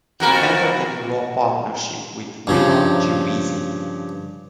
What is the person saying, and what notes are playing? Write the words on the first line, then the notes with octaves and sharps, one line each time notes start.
He entered into law partnership with Wheelock G. Veazey.
F2 F#4 A#4
G2 C#3 F3